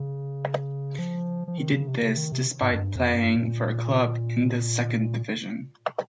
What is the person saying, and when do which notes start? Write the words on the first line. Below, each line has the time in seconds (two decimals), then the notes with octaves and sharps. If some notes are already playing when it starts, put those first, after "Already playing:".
He did this despite playing for a club in the Second Division.
Already playing: C#3
0.99 F3
1.48 F3
1.58 D#3
1.72 C#3
1.88 C3
2.02 C3
2.17 D#3
2.32 C3
2.61 G#2
2.71 F2
2.76 G2
2.96 F2
3.16 G2
3.36 A#2